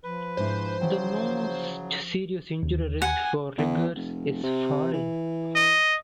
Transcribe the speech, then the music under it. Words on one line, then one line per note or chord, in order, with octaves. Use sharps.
The most serious injury risk for riggers is falling.
F3 B4
G#2 D4 E4 C5
C#3 E3 F#3 B4 G5
D#2
F#5 G#5
E2
F1
C3
E3
D#5